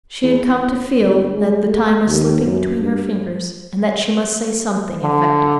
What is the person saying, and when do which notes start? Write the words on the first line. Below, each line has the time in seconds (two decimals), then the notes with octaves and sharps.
She had come to feel that the time was slipping between her fingers and that she must say something effective.
0.23 E2
1.00 G1
1.34 G#3
1.65 A3
2.07 D#2
2.43 F#2
2.80 G2
5.03 D3